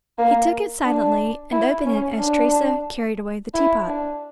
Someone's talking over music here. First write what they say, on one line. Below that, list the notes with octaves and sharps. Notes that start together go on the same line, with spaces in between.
He took it silently and opened it as Teresa carried away the tea-pot.
A#3
D4
E4
C#4
D4
E4
D4